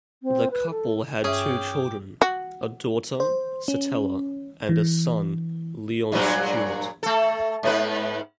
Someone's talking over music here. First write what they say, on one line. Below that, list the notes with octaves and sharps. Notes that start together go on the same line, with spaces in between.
The couple had two children: a daughter, Satella, and a son, Leon Stewart.
C4
B4
A4
G2 C#4 G#4 E5 G5 D6
F#4
C5
C#4
E3
G2 A#2 F#3
A3 A4
G#2 B3 B4